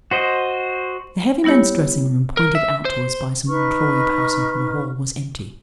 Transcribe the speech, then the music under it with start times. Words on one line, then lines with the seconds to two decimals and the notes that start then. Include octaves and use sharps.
The heavy man's dressing room, pointed out to us by some employee passing through the hall, was empty.
0.11 F#4 C5 D#5
1.44 G3 B3 E4 G4 C#5
2.37 A#4
2.55 E5
2.85 C5
3.48 D#4 B4 C#6 F6